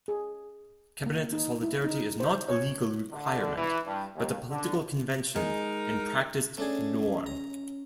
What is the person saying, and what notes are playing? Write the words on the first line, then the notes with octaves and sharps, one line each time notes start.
Cabinet solidarity is not a legal requirement, but a political convention and practiced norm.
G#4
A#3
D#4
E4
D#4
C5
C#5
D3
E3
G2
D#2
D3
G#3 D#4 A#4
A3 C#4 D4 G#4
A#5